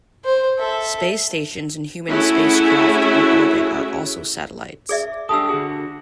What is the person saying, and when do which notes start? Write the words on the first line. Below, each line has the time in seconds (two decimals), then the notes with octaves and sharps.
Space stations and human spacecraft in orbit are also satellites.
0.25 C5
0.59 A4 E5
2.10 A3 C#4 E4 F#4 G#4 E5
4.89 G#4 D5 E5
5.29 D4 G4 A4 D#6 E6
5.49 D3 F#4 G#4